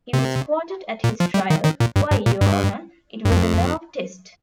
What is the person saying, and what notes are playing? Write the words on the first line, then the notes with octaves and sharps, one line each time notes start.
He was quoted at his trial: Why, Your Honor, it was a nerve test.
C3
A#2
F3
G3
D#3
D#3
A#2
G2
G2
A#2
G2
G2
F2